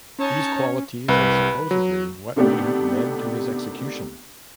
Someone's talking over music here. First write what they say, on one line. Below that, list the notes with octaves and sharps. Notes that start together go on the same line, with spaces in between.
These qualities are supposedly what may have led to his execution.
C#4 D#4 C#5 A5
C2 B4
F#3
C3 D#3 A3 B3 D4 G4